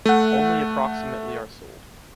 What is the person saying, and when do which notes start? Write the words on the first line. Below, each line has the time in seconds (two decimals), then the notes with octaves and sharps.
Only approximately are sold.
0.06 A3 F#5